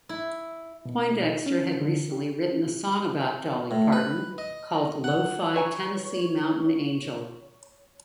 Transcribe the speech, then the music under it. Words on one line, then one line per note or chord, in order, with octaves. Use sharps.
Poindexter had recently written a song about Dolly Parton called "Lo-Fi Tennessee Mountain Angel".
E4
B2
D#4
C#4
D3
G4
G#5
A2
B4
D#5
F#5
B4 C#5 G#5 A#5